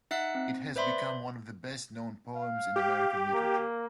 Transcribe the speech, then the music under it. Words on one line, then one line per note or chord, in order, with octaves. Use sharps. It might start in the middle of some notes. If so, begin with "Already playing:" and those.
It has become one of the best-known poems in American literature.
D#4 E5 F#5 E6 F#6 C7
C4
B4 C5 D5 E5 B5 C6
F5
G4
A#3